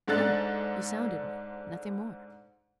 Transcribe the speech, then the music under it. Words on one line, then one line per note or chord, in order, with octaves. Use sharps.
No, you sounded me, nothing more.
G#2 G#3 D4 A4 F#6 A6